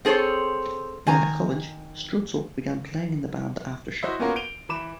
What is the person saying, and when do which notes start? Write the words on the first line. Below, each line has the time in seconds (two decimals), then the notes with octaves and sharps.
While at college Stroetzel began playing in the band Aftershock.
0.05 C4 G#4 A4 C5 C#5
1.07 D#3 G#5 A#5
4.03 E4 F#4 C5 D#5 E5
4.19 A#3 B3 C#4 F4 F#4 A#4
4.36 D7 D#7 F7 G7
4.69 E3 B5 D6 E7